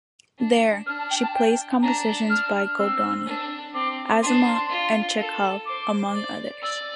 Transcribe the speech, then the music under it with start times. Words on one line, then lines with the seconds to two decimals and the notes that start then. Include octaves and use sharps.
There, she plays compositions by Goldoni, Azama and Chekhov, among others.
0.38 D4
0.86 D4 F6
0.98 A5
1.10 G5
1.22 A5
1.34 G5
1.82 D4 A#5
2.30 F6
2.78 C4 E6
3.26 D4
3.74 C4 D6
4.22 D4 C6
4.70 F4
5.18 A4
5.66 C5 D6
6.14 D5
6.62 D5 E6